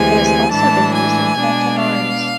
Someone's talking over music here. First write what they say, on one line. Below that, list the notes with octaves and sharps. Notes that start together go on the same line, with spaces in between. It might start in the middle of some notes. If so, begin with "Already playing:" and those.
It has also been used in canting arms.
Already playing: D2 C3 E3 G#3 G#5
A2 E3 G#3 D4 A5
G#5
B2 G#3 B3 D4
F5